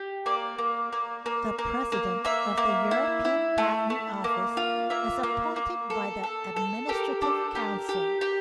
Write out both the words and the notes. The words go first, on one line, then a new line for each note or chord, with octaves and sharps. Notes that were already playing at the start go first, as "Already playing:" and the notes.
The President of the European Patent Office is appointed by the Administrative Council.
Already playing: G4
A#3 D5
A#3
A#3
A#3
A#3
A#3
A#3 E5
A#3
E4
E4
A3
A3
A#3
F4
A#3 E5
A#3
A#3
A4
A4
A4
G4 A#4
D4 A4
G4 A#4
G4
G4